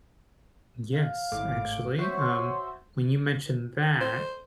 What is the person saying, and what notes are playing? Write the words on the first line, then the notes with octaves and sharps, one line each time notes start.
Yes, actually, um, when you mentioned that,
F5
G#1 A2 D6
F#4 C5 C#5 E5 C#6
C5